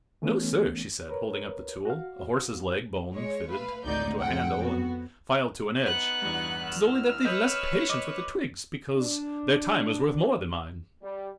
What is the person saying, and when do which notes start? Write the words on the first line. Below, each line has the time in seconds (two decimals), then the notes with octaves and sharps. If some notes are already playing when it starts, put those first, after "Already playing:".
"No, sir," she said, holding up the tool--a horse's leg-bone fitted into a handle and filed to an edge--"'tis only that they've less patience with the twigs, because their time is worth more than mine."
0.22 E3 A3 B3 C#4
1.08 A#4 B4 C#5
1.85 F#4 F5
3.13 G#3 C#5
3.48 A3 B4 F5
3.84 G#1 D2 A2 D#4 D5 G6
4.18 F2 F#5 G5
4.60 B3 F#4
5.82 B3 D#4 C#6 F#6
6.22 E2 G2
6.64 E6 F6
7.25 B4 C#5 D#5 D#6 G6
7.89 D#5 D6
8.97 D4
11.02 G3